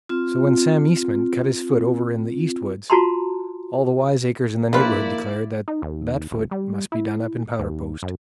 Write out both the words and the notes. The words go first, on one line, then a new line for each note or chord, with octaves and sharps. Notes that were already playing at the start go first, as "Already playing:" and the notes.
So when Sam Eastman cut his foot over in the "east woods," all the wiseacres in the neighborhood declared that that foot must be done up in powder-post.
C4 F4
F4 F#4 A5 A#5 C6
A#1 A#3 E4 F4 B4 D5
D#4
D#2
D#1
G3
E4
D#2
F#2